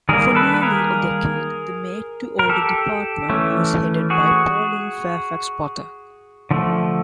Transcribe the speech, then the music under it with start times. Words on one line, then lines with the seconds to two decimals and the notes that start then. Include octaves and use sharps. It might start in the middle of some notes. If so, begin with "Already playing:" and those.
For nearly a decade, the made-to-order department was headed by Pauline Fairfax Potter.
0.09 D#3 G3 A#3 G#4 A#4
0.35 A4 B4
0.54 B4
0.63 G#4 A#4
2.39 A#4
2.49 G4 A4
3.30 E3 A3 C#4
4.10 F#4 G#4
6.51 D3 F3 A3